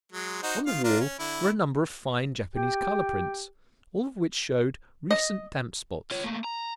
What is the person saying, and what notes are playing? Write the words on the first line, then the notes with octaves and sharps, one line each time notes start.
On the wall were a number of fine Japanese colour-prints, all of which showed recent damp-spots.
F#3 G#3
D#4 F#4 C5
D#3 F4 F5
D4 F4 A#4
C#4
D3 E4
G4
D#5
F4 C#5
A3 A#3
A#5